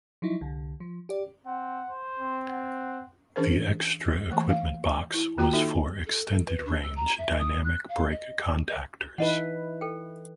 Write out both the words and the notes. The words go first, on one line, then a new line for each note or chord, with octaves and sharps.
The extra equipment box was for extended range dynamic brake contactors.
F3 F#3 D#4 E4
C2 D3
F3
G4 D5
C4 F#5
C5
C4
F#5
E3 C#4 D4 G#4 A#4 C5
E3 A3 A#3
F5
E4
D#3 A#3 F4 F#4 G5 A#5
D#4 F#4 A4 E5
A4
A4
B4
D4
E6
A#5
E5
D#6
F#6
F5
D#5
E3 D#4 E4 B4 D#5 F#5
A4 G5